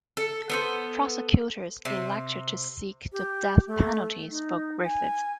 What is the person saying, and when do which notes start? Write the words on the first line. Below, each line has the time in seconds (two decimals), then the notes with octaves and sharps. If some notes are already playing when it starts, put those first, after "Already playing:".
Prosecutors elected to seek the death penalty for Griffith.
0.17 A4
0.50 B3 A4 C5
1.85 C3
3.12 G4
3.67 A3
4.30 D#4
4.84 G#5